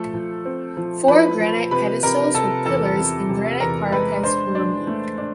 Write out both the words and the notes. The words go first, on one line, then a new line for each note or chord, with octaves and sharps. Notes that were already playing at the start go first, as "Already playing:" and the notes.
Four granite pedestals with pillars and granite parapets were removed.
Already playing: F3 A3 A4
F3
C4
F3
F3 B4 B5
F3
C3 B4 B5
C3 A#4 A#5
C3 A4 A5
E2 A4 A5
C3
C3
E2 A#4 A#5
G#3 B4 B5
D4 C5 C6
D4
A3
D4